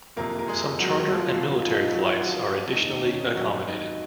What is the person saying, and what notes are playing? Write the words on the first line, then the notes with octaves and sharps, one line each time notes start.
Some charter and military flights are additionally accommodated.
F#1 F2 C3 A#3 A#4
A#4
G#3 G#4
F#3 F#4
F3 F4
F3 F4
D#4
D#4
F#3 F#4
F4
F#4
F3 F4
F1 D#2 D#3 D#4
D#4
C#4
D#4
F#3 F#4
D#4